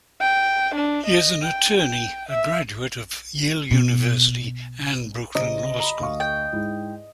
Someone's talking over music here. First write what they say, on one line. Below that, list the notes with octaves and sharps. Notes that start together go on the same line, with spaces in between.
He is an attorney, a graduate of Yale University and Brooklyn Law School.
G5
D4
D#5
G5
G5
E5
B2
C#3 D#5
A#5 B5
D2 F5 C#6
G5
G#2 E4